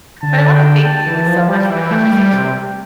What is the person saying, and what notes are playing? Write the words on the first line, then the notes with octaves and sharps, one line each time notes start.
But I wanna thank you so much for the conversation.
D3 A5
G5
A5
E3
F3
G3 G5
E3
A3
G3
C3